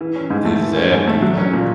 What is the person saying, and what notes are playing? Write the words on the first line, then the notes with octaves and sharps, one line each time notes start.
Exactly, like
E3
C#4
G#2
A3
E3
C#4
G#2
A3
F#3
C#4
A#2